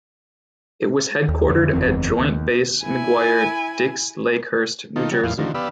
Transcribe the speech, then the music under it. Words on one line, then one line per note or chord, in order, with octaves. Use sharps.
It was headquartered at Joint Base McGuire-Dix-Lakehurst, New Jersey.
D#2
F2 D3 E3
F#1 E2 C4
D#2
E4 G#5
D#3 D#4 F4 A4
C#3 F#3 G3
E2 A2 F3 F5
D3 D#3 F3
B3 G4 D5 F5 B5 E6